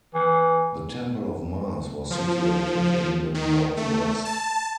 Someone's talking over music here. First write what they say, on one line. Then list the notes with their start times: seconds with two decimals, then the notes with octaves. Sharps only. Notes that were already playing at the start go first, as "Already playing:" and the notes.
The Temple of Mars was situated in the northwest.
0.14 E3
2.10 F3
3.35 D#3
3.77 A3
4.25 A5